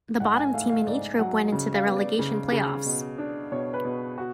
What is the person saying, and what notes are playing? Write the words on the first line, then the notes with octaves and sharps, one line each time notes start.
The bottom team in each group went into the relegation play-offs.
G#2 F#5
G#5
A3 F5
F5
G#2 D5
F#3 F#5
C#3
F5
B3
D5
C#3
C#3
B2
D4
B2 C#5
B4
B2
F#4